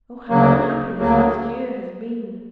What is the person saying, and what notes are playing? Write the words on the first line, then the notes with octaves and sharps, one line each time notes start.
Oh, how unhappy this last year has been!
D2 C#3 F#3 A#3
D2 C#3 F#3 A#3